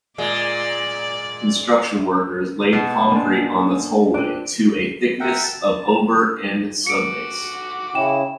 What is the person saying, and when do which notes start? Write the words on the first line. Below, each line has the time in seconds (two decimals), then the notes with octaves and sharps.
Construction workers laid concrete on the tollway to a thickness of over an sub-base.
0.18 A#2 G#3 D5
2.73 B2
3.12 A#3 D4 G#5 A5 C6
4.14 C4 D4 F4 F#6 D7
5.20 A#4 E5 F#5 G5
5.43 A5
6.87 F#4 D6 C#7 D7
7.95 C#3 C#4 E4 G5 E7